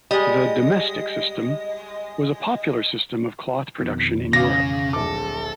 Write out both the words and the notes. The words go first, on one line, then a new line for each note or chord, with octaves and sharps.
The "domestic system" was a popular system of cloth production in Europe.
G3 G#3 D#5
F2 B2 D#3
A1 C#3 F5 D6 A#6
D1 A#1 A4 D6